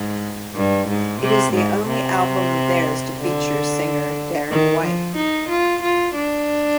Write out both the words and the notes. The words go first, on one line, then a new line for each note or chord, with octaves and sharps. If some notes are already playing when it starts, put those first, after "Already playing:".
It is the only album of theirs to feature singer Darren White.
Already playing: G#2
G2
G#2
C3
G#2
C3
D3
D#3
F3
D#4
F4
F4
D4